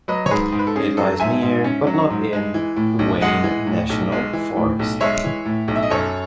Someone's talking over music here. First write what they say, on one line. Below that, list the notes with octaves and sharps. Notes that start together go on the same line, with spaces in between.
It lies near, but not in, the Wayne National Forest.
F#3 B4 D#5
C#5
G#2 G#4 B4
G#2
B4
A4
C#4 G#4
F#3 A4
G#2 E5 G#5
G#2
C#4
F#3
G#2
G#3
E3
A2
B1
G#3 D#5 F#5
E3
A2
B1
G#3
E3
A2
B1
G#3 C#5 E5
E3
A2
B1
E5
D#5
F#2 A4 C#5